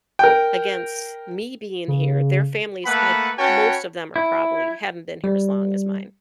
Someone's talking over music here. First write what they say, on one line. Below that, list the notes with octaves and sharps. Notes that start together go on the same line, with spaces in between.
against me being here, their families, I most of them are probably haven't been here as long as mine.
A#4 G5
C#3
A3 A#3 A4 B4 F#5 B5
C#4 F#4 B4 C#5 G5 A5
E4
G3